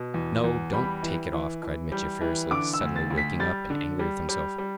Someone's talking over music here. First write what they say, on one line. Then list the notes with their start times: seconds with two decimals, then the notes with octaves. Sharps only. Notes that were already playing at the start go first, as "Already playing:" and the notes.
"No, don't take it off," cried Mitya furiously, suddenly waking up, and angry with himself.
Already playing: B2
0.14 E2
0.44 E2
0.74 G3 B5
1.03 E3
1.33 E3
1.63 E3
1.92 G3
2.21 E3
2.51 D3 D6
2.74 E6
2.81 D2
2.96 A6
3.10 D2
3.18 B6
3.40 G3 A6
3.70 D3
3.99 G3
4.29 G3
4.58 G3